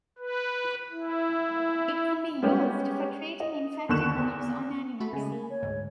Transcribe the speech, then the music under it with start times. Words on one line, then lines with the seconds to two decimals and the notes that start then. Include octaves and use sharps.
It can be used for treating infected wounds on animals.
0.19 B4
0.92 E4
2.42 G3 G#3 B3 C#4 G4
3.40 D#5
3.89 D#2 D3 D#3 C#6 F#6 E7
4.16 E2
5.00 A3 F#4 B5
5.13 C#3 G#3 G#5
5.32 A#3
5.49 C#5
5.62 D2 G#2